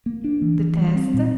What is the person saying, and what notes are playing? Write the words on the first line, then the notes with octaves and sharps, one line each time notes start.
"The test?"
A#3
D4
E3
E3
G3
C4
A#2